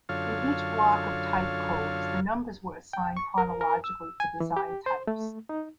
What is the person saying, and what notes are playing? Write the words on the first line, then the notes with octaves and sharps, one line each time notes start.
In each block of type codes, the numbers were assigned chronologically for designed types.
F#2 D3 F4 A4 C#5 F5
G5
C#6
A#4
A#4
E6
G#5
E3
G4
C5
A3
D#4